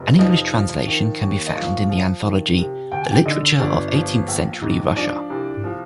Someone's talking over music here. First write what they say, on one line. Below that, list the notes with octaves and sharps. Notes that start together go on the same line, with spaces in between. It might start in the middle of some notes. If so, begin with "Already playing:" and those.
An English translation can be found in the anthology "The Literature of Eighteenth-Century Russia".
Already playing: F1
F3 D#4 D#5
F3
D#3
D#2
D#5
F3 F4 F5
F3
D#3
C3
D2 G5
G#5
G4 G5
D3 D#4 D#5
G1 D4 D5
F3
A#1
G#2
F3 D4 D5
C2
F3